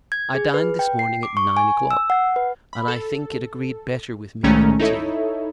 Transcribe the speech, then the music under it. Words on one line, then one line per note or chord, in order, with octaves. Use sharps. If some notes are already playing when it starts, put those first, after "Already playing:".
I dined, this morning, at nine o'clock; and, I think, it agreed better with me than tea.
G#6
G#4
B4
G5
C7
D6
C#6
G#5
E6
F#5
B4
B5
A4
C2 D#3 G#3 A3 C#4 A#5
D#4 E4 A4 C#5 E5